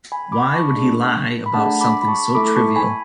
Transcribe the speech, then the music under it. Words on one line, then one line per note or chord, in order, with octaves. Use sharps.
Why would he lie about something so trivial?
G#5 B5
B5 D6
B5
A5 C#6
A3 D4 G#4
B5
A3 D4 G#4 F#5 A5
B5 D6
B5
A5 C#6
A3 E4 A4 B5 D6
A5 C#6
G#5 B5